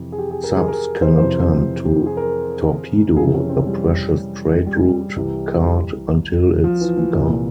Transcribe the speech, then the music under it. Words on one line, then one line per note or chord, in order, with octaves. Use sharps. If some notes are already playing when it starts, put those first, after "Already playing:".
Subs can attempt to torpedo the precious trade route card until it's gone.
Already playing: F2 C3 E3
G#4
G4
G#4
A#4
G#4
A#4
C5
F2 C3 E3 C5
G#4
A#4
F2 C3 E3 G#4
C#4
C4
G3
G3
C2 C3 E3
F3
E3
E3
C2 A#2